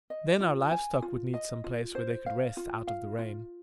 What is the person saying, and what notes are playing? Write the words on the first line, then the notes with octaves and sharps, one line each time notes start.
Then our live stock would need some place where they could rest out of the rain.
D#5
F4
G#5
F4
D#5
F4
C5
F5
F4
F5
F4